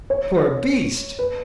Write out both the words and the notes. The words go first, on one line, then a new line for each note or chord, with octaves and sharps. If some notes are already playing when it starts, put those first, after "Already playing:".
"Poor beast!"
C#5
B4